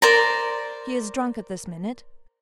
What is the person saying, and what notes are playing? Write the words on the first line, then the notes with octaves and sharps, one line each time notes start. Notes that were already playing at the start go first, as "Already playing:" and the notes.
She is drunk at this minute.
A#4 C5 D5 A#5